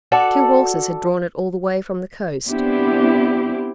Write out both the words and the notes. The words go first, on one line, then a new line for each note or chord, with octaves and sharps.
Two horses had drawn it all the way from the coast.
F#4 A4 D5
B3 C4 D4 E4 G4